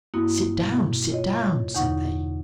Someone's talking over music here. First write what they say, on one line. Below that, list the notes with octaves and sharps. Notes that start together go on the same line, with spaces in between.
"Sit down! sit down!" said they.
G2 A#3 C4 E4 F#4 D#6
B2
F4 C#5 D#5
E2 D3 D#4 F#5 C#6